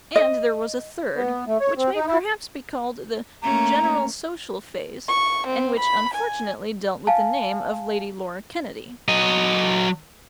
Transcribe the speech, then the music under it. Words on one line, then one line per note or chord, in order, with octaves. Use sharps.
And there was a third, --which may perhaps be called the general social phase, and which unfortunately dealt with the name of Lady Laura Kennedy.
D#5
B3
A3
C#5
C4
D#4
E4
A3 A#3 C#4 A#5
C#6
C4
B5
G#5
F5 G#5 A5
F#3 D#5